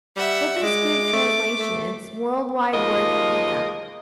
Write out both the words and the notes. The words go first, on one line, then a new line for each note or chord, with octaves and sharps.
With this Greek translation its world-wide work had begun!
G3 E5 F#5
G#3 D6
A3
A3
D#2 F3 G#3 A#3 A#4 D#5